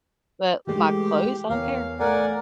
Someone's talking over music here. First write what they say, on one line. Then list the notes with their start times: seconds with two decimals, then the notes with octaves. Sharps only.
but my clothes, I don't care.
0.67 E3 G#3 A3 G4
1.49 E2 A#4 C#5 F5
2.00 A3 A#4 D5 F#5 G#5